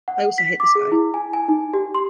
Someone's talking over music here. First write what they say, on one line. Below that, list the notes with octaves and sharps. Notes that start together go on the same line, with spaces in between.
I also hate this guy.
F#5
B6
D6
G#4
E4
G#5
G#5
D#4
G4
C6